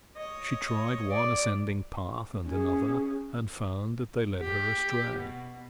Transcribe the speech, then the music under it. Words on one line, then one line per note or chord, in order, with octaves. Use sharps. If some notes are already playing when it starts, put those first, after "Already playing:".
She tried one ascending path and another, and found that they led her astray.
C#5 D#5
D5
C#4 G#4
G4
B2